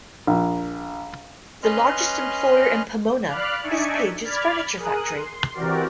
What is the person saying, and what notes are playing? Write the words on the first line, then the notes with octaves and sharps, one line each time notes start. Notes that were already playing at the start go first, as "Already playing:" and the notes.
The largest employer in Pomona is Pages Furniture Factory.
A#1
C#4 B4 D#5 C6 F6 F#6
D5 F5 B5 F6 F#6
D4 D#4 D5 E5 G#5 C#6
D5 B5 F6 G#6 A6
G#4 A#4 D#6 F#6
C6
E3 C4 F#4 G4 A#4 D5